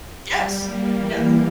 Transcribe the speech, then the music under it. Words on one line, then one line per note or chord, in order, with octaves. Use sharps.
Yes, yes.
G3
A#3
E3